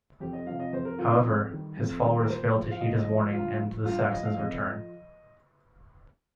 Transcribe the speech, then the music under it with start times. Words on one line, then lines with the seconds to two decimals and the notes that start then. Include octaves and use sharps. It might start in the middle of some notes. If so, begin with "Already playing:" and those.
However, his followers fail to heed his warning and the Saxons return.
0.20 F2 G4
0.33 D#5
0.46 C3 F3 F5
0.60 D#5
0.73 F2 C5
0.85 A#4
0.99 C3 F3 F4
1.11 D#4
1.25 F2
1.51 D#3 G3
1.77 F2
2.04 D#3 G3
2.20 A#4
2.28 A#2 C5
2.55 F3
2.71 F5
2.81 A#2 D#5
2.99 D#5
3.07 F3
3.33 G2 F4
3.60 F3
3.85 G2 F4
3.99 F5
4.11 F3 D#5
4.25 F5
4.38 F2 D#5
4.64 F3